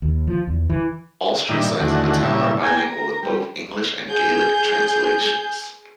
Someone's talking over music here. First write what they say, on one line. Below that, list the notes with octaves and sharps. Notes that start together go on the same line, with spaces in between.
All street signs in the town are bilingual with both English and Gaelic translations.
D#2
F3
E2
E3
A#2 D#3 G3 D4 E5
D#2 D3 E3 A3 F#4
A#2 C#3 E3 G3 E5
A#3 G#4 G5 G#5
A#4
G3
G#4 G6